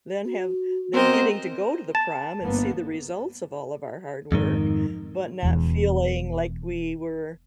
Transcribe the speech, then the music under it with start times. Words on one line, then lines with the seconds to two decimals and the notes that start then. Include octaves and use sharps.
then have then getting to go to the prom and see the results of all of our hard work but not feeling like we were
0.25 F#4
0.94 B3 C4 A#4 C5 D#5
1.95 A5
2.41 G1 A#3 B3
4.32 F2 G#2 D#3
5.43 E1 E2